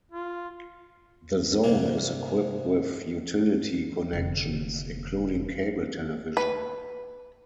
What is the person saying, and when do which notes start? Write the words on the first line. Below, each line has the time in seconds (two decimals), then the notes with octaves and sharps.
The zone is equipped with utility connections, including cable television.
0.12 F4
1.64 G2 C3 A#3
4.13 F1 D3
6.37 B4